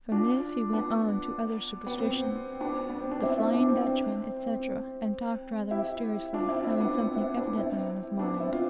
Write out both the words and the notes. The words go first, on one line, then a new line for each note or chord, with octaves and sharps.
From this he went on to other superstitions, the Flying Dutchman, etc., and talked rather mysteriously, having something evidently on his mind.
D4 F4
B3 D4
B3
C4
B3 D4
B3
C4
D4
C4 E4
C4 E4
B3 D4
C4
C4
C4
E4 G4
D4 F4
C4 E4
C4 E4
B3 D4
C4
C4 E4
B3 D4
C4 E4
B3 D4
C4 E4
F4